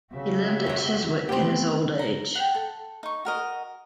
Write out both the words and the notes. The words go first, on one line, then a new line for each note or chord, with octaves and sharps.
He lived at Chiswick in his old age.
C#3 F#4 G4 E5
F2 F#3
A3 B3 C4 G4
A#5
F#5 G5
A4
D#4 C#6
F#4 A#4 D#5